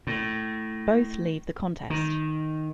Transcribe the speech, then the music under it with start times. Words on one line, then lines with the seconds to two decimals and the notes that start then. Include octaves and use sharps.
Both leave the contest.
0.07 A2
1.90 D#3